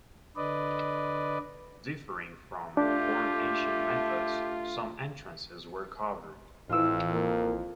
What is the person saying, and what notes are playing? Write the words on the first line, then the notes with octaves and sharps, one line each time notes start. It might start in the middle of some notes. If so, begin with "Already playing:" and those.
Differing from Fort Ancient methods, some entrances were covered.
D3 B4 D5 D#5
A3 D4 F4 G4
A1 F2 E3 F4 E6
A#3